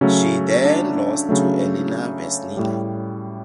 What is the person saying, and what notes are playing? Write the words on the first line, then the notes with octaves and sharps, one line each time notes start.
She then lost to Elena Vesnina.
C#3 F#3 A3 C#4
D4
C#3 F#3 A3
A2 G3